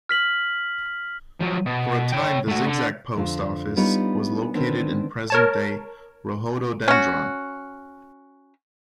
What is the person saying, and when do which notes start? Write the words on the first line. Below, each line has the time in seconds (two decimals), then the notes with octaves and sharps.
For a time the Zigzag post office was located in present-day Rhododendron.
0.09 F6 B6 F#7
1.40 F3 F#3
1.66 B2
2.12 C#5 G5
2.48 A3 F#4
2.66 D3
3.16 F2 D3 F4
3.76 G3 B3 D4 D#4 F4 C#5
4.54 D3 D#3 B3 C4 D4 B4
5.30 A#4 C#5 A5
6.88 C#4 F#4